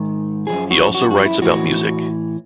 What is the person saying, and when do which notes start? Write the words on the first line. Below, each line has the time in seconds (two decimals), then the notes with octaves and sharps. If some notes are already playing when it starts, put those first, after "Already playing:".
He also writes about music.
Already playing: G#2 D#3
0.47 C#3 F3 G#4
0.52 F#2
0.71 F#4
0.95 F#4
1.11 F#4
1.25 E4
1.42 A2 E3 F#4